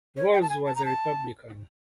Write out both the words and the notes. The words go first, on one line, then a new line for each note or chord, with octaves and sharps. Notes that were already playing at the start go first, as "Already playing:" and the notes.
Volz was an Republican.
C#5
G5
A5
G#5
A5
A#5
A5